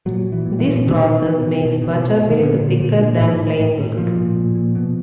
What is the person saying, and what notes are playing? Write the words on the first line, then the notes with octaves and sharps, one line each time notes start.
This process makes buttermilk thicker than plain milk.
A#2 F#3
A#2
E3
A#2
E3
A#2
B2 D#3
B2
B2
B2
B2
B2
B2
B2
D#3
A#2 D3
A#2
A#2
A#2
A2 D#3
A2
A2
A2
A#2 F3
A#2
A#2
A#2
B2